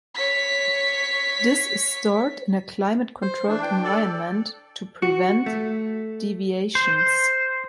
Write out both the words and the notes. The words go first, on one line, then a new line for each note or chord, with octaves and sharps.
This is stored in a climate-controlled environment to prevent deviations.
C#5 B6
C5
E3 D4
G5
A4 D5
F#4
A3
C5